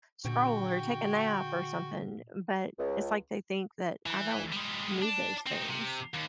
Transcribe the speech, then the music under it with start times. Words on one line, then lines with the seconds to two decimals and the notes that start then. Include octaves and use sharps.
scroll, or take a nap, or something, but it's like they think that I don't need those things.
0.25 A#2 D3 F#4 G#4 G5
2.78 C#2
4.06 E3
4.52 G3 G#3
5.02 D4
5.47 C4 D#4
5.70 C3
6.14 D#2